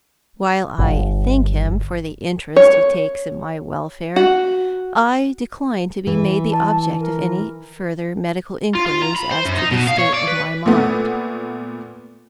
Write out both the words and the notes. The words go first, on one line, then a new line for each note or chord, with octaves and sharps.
While I thank him for the interest he takes in my welfare, I decline to be made the object of any further medical inquiries as to the state of my mind.
G1
C#5
F#4
E3
A5
A#4
F4
F4
A#5
B5
C5
F#2
D#4
B2
F5
C#5
D5
B4
A#2 A3 B3